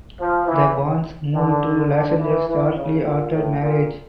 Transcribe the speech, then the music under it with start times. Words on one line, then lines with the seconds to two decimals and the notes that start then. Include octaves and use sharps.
The Bonds moved to Los Angeles shortly after marriage.
0.20 F3
0.48 E3
1.33 D3
1.91 D3
2.18 E3
2.47 E3
2.75 C#3
3.04 A#2
3.32 A2
3.61 A#2